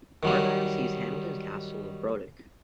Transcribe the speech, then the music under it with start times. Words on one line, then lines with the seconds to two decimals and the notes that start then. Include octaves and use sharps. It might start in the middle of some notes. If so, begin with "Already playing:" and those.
Argyll seized Hamilton's castle of Brodick.
0.23 D#3 F#3 G3